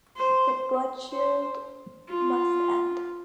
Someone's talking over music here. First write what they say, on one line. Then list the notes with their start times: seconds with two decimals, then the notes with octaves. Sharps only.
The bloodshed must end.
0.16 C5
1.11 C5
2.07 F4